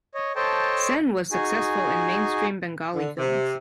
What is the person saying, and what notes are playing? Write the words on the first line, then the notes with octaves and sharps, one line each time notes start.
Sen was successful in mainstream Bengali films.
C#5 D#5
A4 C5 C#5 D#5 G5 A5
D#4 F#4 G#4 G#5
D3
C3